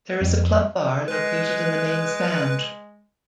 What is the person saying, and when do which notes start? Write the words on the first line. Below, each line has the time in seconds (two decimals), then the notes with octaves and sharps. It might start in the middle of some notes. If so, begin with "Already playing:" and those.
There is a club bar located in the main stand.
0.21 F2
1.08 G#3 B4